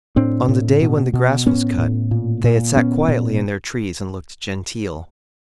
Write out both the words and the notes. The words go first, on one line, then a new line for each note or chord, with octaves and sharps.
On the day when the grass was cut, they had sat quietly in their trees and looked genteel.
A2 C4 D4
A2
B2
B2
A2 B3 C#4
A2
A#2
A#2
A#2 B3 C#4
A#2